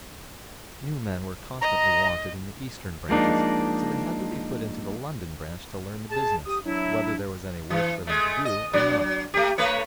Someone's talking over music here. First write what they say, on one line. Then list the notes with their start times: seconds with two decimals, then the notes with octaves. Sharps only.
New men were constantly wanted in the Eastern branches, so they had to be put into the London branch to learn the business, whether there was any work for them to do or not.
1.61 D#5 A#5
3.09 F3 G#3 A#3 D4 D#4
6.10 G#4 A5
6.46 G4 D#6
6.65 F#3 D4 E4
7.70 E3
8.07 G#3 A3
8.45 D#5
8.73 F#3 D4
9.34 A3 G4
9.58 A3 B4 C#5